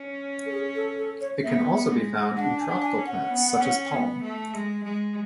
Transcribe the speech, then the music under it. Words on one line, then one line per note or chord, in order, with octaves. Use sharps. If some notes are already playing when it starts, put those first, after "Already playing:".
It can also be found in tropical plants such as palm.
Already playing: C#4
A4
G#4
A4
A4
C#5
B3 E5
G#3
D4 F#5
G#5
D4
G#5
C#4
F#5
B3
C#4
B3
A3
G#3
G#3